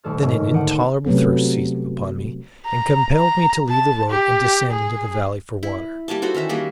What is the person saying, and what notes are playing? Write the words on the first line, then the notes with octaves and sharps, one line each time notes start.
Then an intolerable thirst seized upon me and compelled me to leave the road and descend into the valley for water.
D#1 A3 A4 F6
G#2 C#3 A3 A#3
D3 D#4 F#5 D7
C3 F#3 A3 B3 C#4
A#5
A#5
A5
G4
G#4
E4
G3 A#3 G#5 A5
D#4 F#4 A4 C5
D#3 E3 C#4 E5
G3 A#3 F#4 G#4